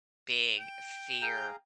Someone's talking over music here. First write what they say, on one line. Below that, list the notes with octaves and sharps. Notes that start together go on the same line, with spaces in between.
big fear
G5
G#4 F5 A#5 G6